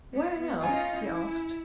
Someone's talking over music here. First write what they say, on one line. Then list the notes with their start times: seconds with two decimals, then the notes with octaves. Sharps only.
"Where now?" he asked.
0.14 B3
0.63 C#4 D#4 F4 G#5
1.04 E4